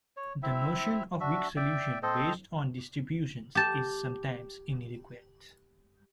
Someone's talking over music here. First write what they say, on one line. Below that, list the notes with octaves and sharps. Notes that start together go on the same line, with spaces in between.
The notion of weak solution based on distributions is sometimes inadequate.
C#5
C4 E4 E5
D4 F#4 E5
D5 E5 G5
C4 A4 C5 D#5
G4 A5